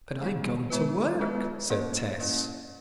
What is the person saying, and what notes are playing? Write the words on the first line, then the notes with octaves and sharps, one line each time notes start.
"But I am going to work!" said Tess.
D#3 G#3 B3 D#4 G#4
G#3 B3 E4 B4
G#3 B3 E4 B4
A#3 C#4 E4
A#3 C#4 E4